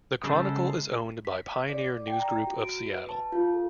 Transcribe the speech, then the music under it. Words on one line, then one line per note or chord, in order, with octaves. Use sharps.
The "Chronicle" is owned by Pioneer News Group of Seattle.
C#3 G#3 A4 C5
B6
D5
D5
G5
A#5
F#4
D7
B4
A5
F4
A4